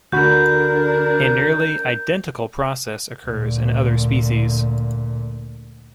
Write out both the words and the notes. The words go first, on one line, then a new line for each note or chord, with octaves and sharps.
A nearly identical process occurs in other species.
D2 D3 D4 F#4 A#4 B5 G6
D2 A#2